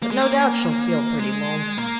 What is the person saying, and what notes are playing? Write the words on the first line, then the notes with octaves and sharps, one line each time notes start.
But no doubt she'll feel pretty lonesome.
A#3
G#3
A#3
G#3
A#3